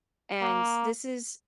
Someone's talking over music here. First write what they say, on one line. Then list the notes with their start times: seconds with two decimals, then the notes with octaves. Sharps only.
And this is
0.42 A#3